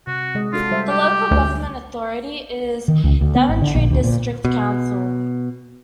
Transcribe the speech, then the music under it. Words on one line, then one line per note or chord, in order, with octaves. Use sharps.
The local government authority is Daventry District Council.
C3 F#4
C3 G#3 D#5
D4 F4 F#4 A4
G3 C5 E5
G4
D2 A3 E5
D#3
C#2
D2
B3
G#1
D3
A#1
D2
A#2
B2